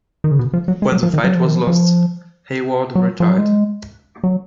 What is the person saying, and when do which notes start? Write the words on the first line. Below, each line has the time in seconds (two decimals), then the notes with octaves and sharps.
When the fight was lost, Hayward retired.
0.24 D#3
0.31 C#3
0.39 B2
0.53 F3
0.68 F#3
0.82 G#3
0.92 F#3
1.03 F3
1.14 D#3
1.24 F#3
1.35 F3
1.45 D#3
1.55 F3
1.67 F3
2.95 F#3
3.20 F3
3.30 F#3
3.38 G#3
4.24 F#3